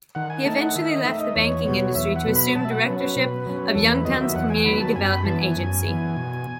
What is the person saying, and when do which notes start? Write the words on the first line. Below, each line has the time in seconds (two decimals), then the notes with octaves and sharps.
He eventually left the banking industry to assume directorship of Youngstown's Community Development Agency.
0.15 D#3 F#5
0.30 G#5
0.45 A3 D#4 A5
0.61 F#5
0.75 D#3 E5
0.91 D#5
1.05 A3 D#4 E5
1.21 D#5
1.35 E2 C#5
1.65 B2 F#3 B3 C#5
1.95 E2 E5
2.16 F#5
2.26 B2 F#3 B3
2.35 B5
2.55 B2 A5
2.65 E5
2.71 F#5
2.85 F#3 C#4 B4
3.00 B4
3.16 B2
3.46 F#3 C#4
3.75 E2 A4
3.91 B4
4.05 D#3 F#3 B3 D#5
4.21 E5
4.35 E2 F#5
4.50 G#5
4.65 D#3 F#3 B3 B5
4.80 A5
4.96 F#2 G#5
5.11 B5
5.25 E3 B3 A5
5.41 G#5
5.56 F#2
5.86 E3 B3
6.16 B2